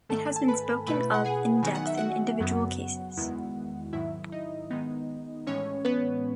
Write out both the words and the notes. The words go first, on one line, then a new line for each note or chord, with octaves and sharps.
It has been spoken of in depth in individual cases.
G#2 D#3 A3 A4 A5
G#5
A5
B4 B5
B2 A3 E4 B4 B5
F#5
G#4 G#5
D#3 F#3 B3 D#4 G#5
F#5
E5
F#4 F#5
F#2 C#3 F#3 B3
E2 D#3 G#3 B3 E4
G#2 D#3 F#3 E4 E5
D#4 D#5
D#3 G#3 B3 D#4
A2 E3 G#3 C#4 C#5
B3 B4